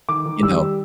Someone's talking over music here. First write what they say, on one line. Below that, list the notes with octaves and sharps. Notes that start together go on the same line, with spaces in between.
you know,
D#3 D6
D#3
G3 E6